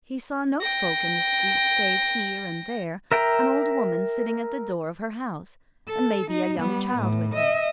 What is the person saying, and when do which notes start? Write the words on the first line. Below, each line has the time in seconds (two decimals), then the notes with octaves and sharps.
He saw no folk in the street save here and there an old woman sitting at the door of her house, and maybe a young child with her.
0.61 G5 A#6
3.12 A#4 E5 G5 A#5
5.89 A4
6.31 D#4
6.60 G3 B3
6.97 A2
7.34 D#5 E5